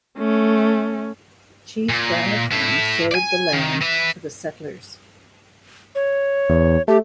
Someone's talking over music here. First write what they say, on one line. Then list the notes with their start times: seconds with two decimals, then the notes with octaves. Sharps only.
Chief Gramatan sold the land to the settlers.
0.18 A3 C#4
1.90 A#2
2.52 A2 E4
3.11 D5 G#5
3.53 D#3
3.81 B4 E5
5.95 C#5
6.49 E2
6.88 A3 G4